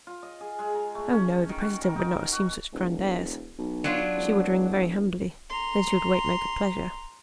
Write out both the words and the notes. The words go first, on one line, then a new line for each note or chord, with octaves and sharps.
Oh! no, the presidente would not assume such grand airs; she would ring very humbly, then she would wait my good pleasure.
F4
D#5
G#4
G#3
A#5
A3
C#4
D#3
F#4
A#4
D#4
F#4
E1
B1
F#3 D4 F4
E1
A#5 C6